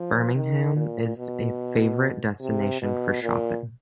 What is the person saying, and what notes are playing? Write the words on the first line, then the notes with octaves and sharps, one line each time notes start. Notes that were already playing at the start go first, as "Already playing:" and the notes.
Birmingham is a favourite destination for shopping.
Already playing: F3
D#3
A#2
B2
C3
B2
A#2